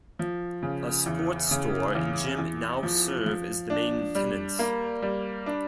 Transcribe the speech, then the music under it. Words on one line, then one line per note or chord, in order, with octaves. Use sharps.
A sports store and gym now serve as the main tenants.
F3
C#3
E2
C#3
E2
E2
F3
F3
D4
G3
A#3
G3
D4